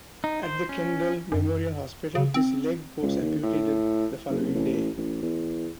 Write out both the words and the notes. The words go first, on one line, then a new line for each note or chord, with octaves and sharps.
At the Kendal Memorial Hospital, his leg was amputated the following day.
D#4
C5
C#4
F#2
C#3
C4
C#2
D#2
A2
F#1
A1
A1
E2